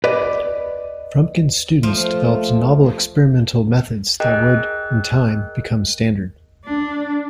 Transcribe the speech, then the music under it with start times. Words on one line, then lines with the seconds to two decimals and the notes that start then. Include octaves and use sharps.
Frumkin's students developed novel experimental methods that would, in time, become standard.
0.04 B4 D5 D#5
1.83 F3 A3 F4
4.20 G#4 A#4 D#5 G5 F#6
6.65 D4